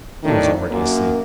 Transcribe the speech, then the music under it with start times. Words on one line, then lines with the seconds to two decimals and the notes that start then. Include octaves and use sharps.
He was already asleep.
0.24 A2 D#3 D4
0.70 F#2 A#3